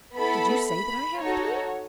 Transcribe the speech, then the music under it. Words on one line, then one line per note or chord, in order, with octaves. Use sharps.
"Did you say that I have three?"
B3 E4 A4 B5
B5
D#4 F#4 A4 C#5